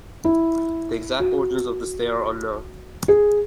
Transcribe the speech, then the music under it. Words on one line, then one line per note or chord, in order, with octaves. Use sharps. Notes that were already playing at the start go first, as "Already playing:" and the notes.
The exact origins of this day are unknown.
E4
F#4
G#4